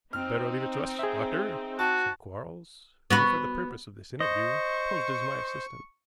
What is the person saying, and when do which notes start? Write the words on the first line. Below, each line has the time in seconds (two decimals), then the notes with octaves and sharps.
"You had better leave it to us, doctor," said Quarles, who, for the purpose of this interview, posed as my assistant.
0.13 C4 D#4 F6
0.99 G#4 E5
1.79 F#4 A5
3.10 B3 F#4 B4
4.20 C5 D#5 C#6